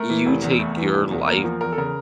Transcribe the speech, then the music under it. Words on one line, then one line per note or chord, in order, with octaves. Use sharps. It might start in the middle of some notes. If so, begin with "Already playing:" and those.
you take your life
Already playing: A3 A#4
E3
F1
E2
A3
E3
F1
E2
A#3 A#4
F3 A#4
E2 A#4
A4
C#3 A#4